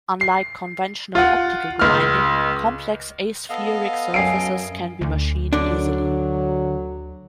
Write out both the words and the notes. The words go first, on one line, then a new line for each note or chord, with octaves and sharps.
Unlike conventional optical grinding, complex aspheric surfaces can be machined easily.
C7
F4 F#5
C#2 F6
B3 A4 D#5 F5
F#2 G#5 C7 D7
D2
D3 F#3 D4